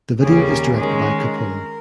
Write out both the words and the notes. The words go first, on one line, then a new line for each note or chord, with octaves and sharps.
The video is directed by Capone.
D#2 C#3 G3 C#4 G#4
A#4
D#3 G#3 C#4 G#4 A#4